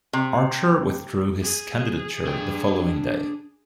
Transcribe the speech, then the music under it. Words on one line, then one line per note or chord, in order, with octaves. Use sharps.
Archer withdrew his candidature the following day.
C3
G#4
D4 G5